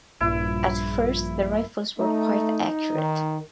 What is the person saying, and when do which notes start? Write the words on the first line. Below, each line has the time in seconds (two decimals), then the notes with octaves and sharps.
At first the rifles were quite accurate.
0.21 A#1 G2 E4
1.99 A3 D#4
2.95 D#3